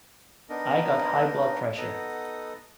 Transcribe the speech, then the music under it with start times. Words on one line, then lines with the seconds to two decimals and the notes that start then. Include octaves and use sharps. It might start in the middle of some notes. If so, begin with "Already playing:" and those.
I got high blood pressure.
0.49 B3 D4 D#4 A#4 D#5
1.77 B3 D#4 A4 D#5 F#5 D#6